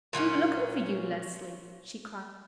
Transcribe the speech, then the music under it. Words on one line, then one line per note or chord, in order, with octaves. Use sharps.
"We were looking for you, Leslie," she cried.
A#2 F#3 A#3 C#4